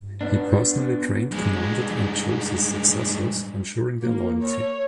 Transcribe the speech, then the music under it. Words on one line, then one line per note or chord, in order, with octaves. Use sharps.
He personally trained, commanded, and chose his successors, ensuring their loyalty.
B3 D4
G2 G#3
A#3
C#5